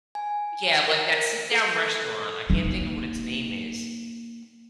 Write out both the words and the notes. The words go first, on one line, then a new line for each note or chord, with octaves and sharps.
Yeah, like, that sit down restaurant. I can't think of what its name is.
G#5
A#4
A4
A#3 D#4